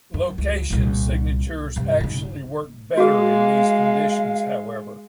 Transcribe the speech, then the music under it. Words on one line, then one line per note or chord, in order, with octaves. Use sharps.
Location signatures actually work "better" in these conditions however.
F#2
C#2
C2 A#2
G2 C3
C#3 D#4
G#3 F#4 G#4 F5